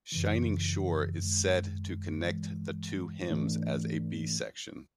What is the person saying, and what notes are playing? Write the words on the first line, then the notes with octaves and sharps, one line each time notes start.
"Shining Shore" is said to connect the two hymns as a B section.
F#2 C#3 E3
F#2 D#3 G#3
G2 E3 G#3
G#2 E3 A3 D4